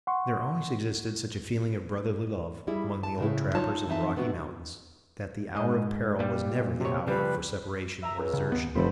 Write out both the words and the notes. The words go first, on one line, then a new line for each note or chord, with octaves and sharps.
There always existed such a feeling of brotherly love among the old trappers of the Rocky Mountains, that the hour of peril was never the hour for separation or desertion.
F#5 C6 C#6
G3 E4 G#4
A5
A2 C#3 E4
F#3 D#4 F4 C#5 A5
E3 C4 D#4 E5 A5
A3 B3 D4 F#4
G#2 D#5
A#2 G3
C3 C#5
C#3 F3 G3 B4
E5 A#5
C#2
C#3
D#2 B3
F1 F#2 B2 D3 C5 B5